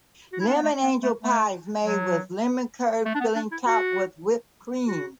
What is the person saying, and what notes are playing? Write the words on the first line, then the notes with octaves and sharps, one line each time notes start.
Lemon angel pie is made with lemon curd filling topped with whipped cream.
F#4
E4
D4
B3
A3
B3
A3
A3
F#3
A3
D4
B3
D4
E4
F#4
F#4